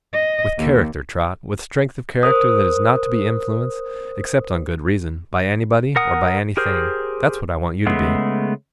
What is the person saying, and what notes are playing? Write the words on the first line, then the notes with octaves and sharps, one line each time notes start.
With character, Trot--with strength of character that is not to be influenced, except on good reason, by anybody, or by anything. That's what I want you to be.
D#5
D#2
A#4 C5 D#6
A#4 F#5 D#6
G4 G#4 A#4 C5
C#3 G#3 A3 B3